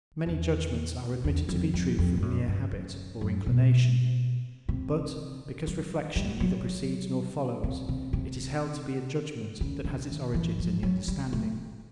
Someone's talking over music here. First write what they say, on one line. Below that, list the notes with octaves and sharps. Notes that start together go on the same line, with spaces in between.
Many judgements are admitted to be true from mere habit or inclination; but, because reflection neither precedes nor follows, it is held to be a judgement that has its origin in the understanding.
E2
E2
F2
F2
F2
G2
F#2
G2
F#2
F#2
B2
C3
F#3
G3
F#3
C3
C3
C3
C#3
D3
D#3
E3
F3
F#3
G3
A3